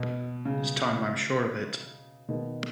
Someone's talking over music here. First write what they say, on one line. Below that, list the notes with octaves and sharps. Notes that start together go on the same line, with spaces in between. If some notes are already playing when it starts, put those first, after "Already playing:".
This time I'm sure of it!
Already playing: B2
C#3
B2 D#3